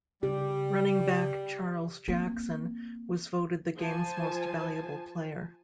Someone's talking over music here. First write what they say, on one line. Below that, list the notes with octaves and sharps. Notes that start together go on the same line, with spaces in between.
Running back Charles Jackson was voted the game's most valuable player.
C#3 G3 G4
A#3 C4
F3 C5 G#5 A5